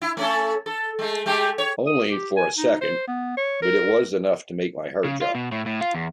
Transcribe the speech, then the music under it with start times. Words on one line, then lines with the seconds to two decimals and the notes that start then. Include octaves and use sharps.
Only for a second, but it was enough to make my heart jump.
0.02 E4
0.17 A3 C#4 A4
0.66 A4
0.99 G#3 A3
1.26 G#3 A3 G4
1.58 C#5
1.87 D#6
2.10 G4
2.37 G#5
2.58 D#4
2.81 C5
3.08 B3
3.37 C#5
3.62 A#4
5.04 C#3
5.22 F4
5.35 B2
5.52 A2
5.66 A2
5.81 F4
5.95 E2